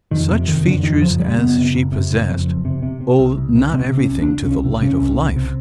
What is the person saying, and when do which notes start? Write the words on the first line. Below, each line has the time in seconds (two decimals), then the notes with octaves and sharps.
Such features as she possessed, owe not everything to the light of life.
0.11 F2 D#3
0.30 C3
0.48 F#1 D#3
0.65 F2 D3
0.83 F2 D#3
1.02 F#1 F3
1.19 F#1 G3
1.38 F#1 B3
1.57 C3
1.75 F#1
1.92 C3
2.11 F#1
2.29 F2
2.47 F#1
2.65 C3
2.82 C3
3.01 C3
3.19 C2
3.37 C2
3.55 C3
3.74 C3 C4
3.91 C3
3.98 C#4
4.09 C2
4.22 D4
4.28 C2
4.45 C2 C#4
4.64 C3
4.82 C3 C#4
5.00 C2
5.18 C2
5.36 C3